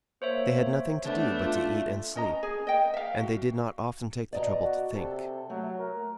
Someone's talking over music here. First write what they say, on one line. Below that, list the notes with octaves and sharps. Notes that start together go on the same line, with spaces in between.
They had nothing to do but to eat and sleep, and they did not often take the trouble to think.
A#3 C5 C#5 E5
A3 B3 D4
F4
C#4 D#5 A#5
G#4
D#5 G5
E5 F5
F#4
B2 D5 D#5 A#5
F#4
C3 A4
F#3 A3
A#4